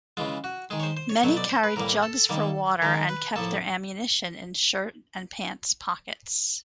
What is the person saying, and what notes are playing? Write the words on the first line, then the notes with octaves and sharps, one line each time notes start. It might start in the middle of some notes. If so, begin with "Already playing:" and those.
Many carried jugs for water and kept their ammunition in shirt and pants pockets.
C#3 E3 G#3 F4
F#4
D#3 G#3 G#4
C#5
C5
C5
C#5
B2 F#3 A3 C#5
D5
C5
B4
A2 E3 G3 A#3 A#4
A4
D#3 G3 A#3
D#3 G#3 A#4
B4
A2 F3 A#3 A4